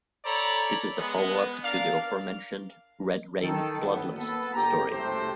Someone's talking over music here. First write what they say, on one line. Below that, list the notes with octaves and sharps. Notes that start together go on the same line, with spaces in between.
This is a follow-up to the aforementioned "Red Rain: Blood Lust" story.
A4 C#5 D5 A#5 B5
G#3 B3
D4 A#4 D5 F5
D#3 A4
F#2 A2 B3
A#3 B3 A4 B4
G1 G4 A#5
F#1 C2 C3 A3 G4 C5